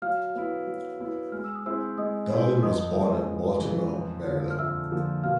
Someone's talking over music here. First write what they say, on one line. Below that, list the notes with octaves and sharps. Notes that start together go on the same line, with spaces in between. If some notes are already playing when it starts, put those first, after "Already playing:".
Darling was born in Baltimore, Maryland.
F#3 F5 F6
B3 E4
F#3
B3 E4
G#3 F6
E6
D#6
C4 E4 G#4 C5 E5 E6
G#3 D#5 D#6
C4 E4 G#4 C5
F2 D#5 D#6
C#3 E3 G#3
F2
C#3 E3 G#3
F2
D3 F3 A#3
F6
F2 E5 E6
D3 F3 A#3
B2 F5 F6